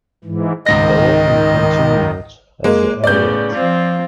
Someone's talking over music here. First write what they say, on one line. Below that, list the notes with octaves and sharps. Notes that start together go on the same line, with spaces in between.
Development continued as the Ariete.
G#2 E3
C#2 G#2 D#3 D#5 A#6
G#3 A#3
A2 C#3 B3 D5 G6
F3 C4 F4